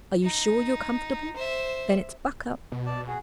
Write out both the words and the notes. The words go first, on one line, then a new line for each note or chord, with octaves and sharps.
Are you sure you're comfortable?' Then it's 'Buck up!
D#4
C5 E5
B2
D5 A5
F#4 G#4